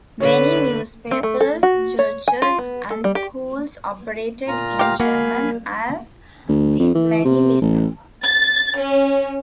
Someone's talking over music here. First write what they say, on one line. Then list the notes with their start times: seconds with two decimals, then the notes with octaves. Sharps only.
Many newspapers, churches and schools operated in German as did many businesses.
0.20 D3 B4 C#5
1.11 C4
1.23 A3
1.41 A4
1.63 F#4
1.99 C#5
2.28 G#5
2.42 F4
2.58 B3
2.90 A4
3.04 G3
3.15 G4
4.48 A#2 F4 A#5
4.79 G4 F5
5.00 A#3 F#4 F5 G#5 B5
6.49 D2
6.79 F2
6.95 E3
7.25 C3
7.61 A1
8.23 A6
8.78 C#4